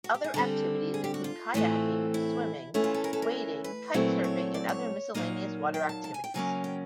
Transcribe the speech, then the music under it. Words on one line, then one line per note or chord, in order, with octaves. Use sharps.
Other activities include kayaking, swimming, wading, kite surfing and other miscellaneous water activities.
F#4
G4
G#4
D3 G3 C4 A4
G#4
G4
F#4
F4
A2 E3 A3 C4
E4
E3 A3 C#4
F4
A4
A#4
A4
A#4
B4
A#2 F#3 A3 C4 E4
C#5
D5
C#5
A#2 F#3 A#3 D#4 D#5
G5
A5
A5
G#5
G5
C#3 F#3 A#3 C#4 G#5
G5